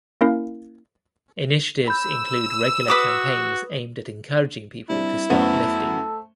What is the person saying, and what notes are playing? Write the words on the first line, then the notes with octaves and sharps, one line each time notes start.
Initiatives include regular campaigns aimed at encouraging people to start lifting.
A#3 C#4 E4 A#4 F5
B5 E6 G6
F#4 B4 D6 D#6
G3 C4 D4 E4
F#2 A3 B3 A4 C5